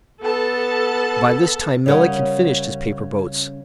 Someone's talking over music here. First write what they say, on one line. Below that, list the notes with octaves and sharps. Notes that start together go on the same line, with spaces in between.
By this time Melick had finished his paper boats.
B3 A4 A5
C#3 G3 C#4 A#4 F#5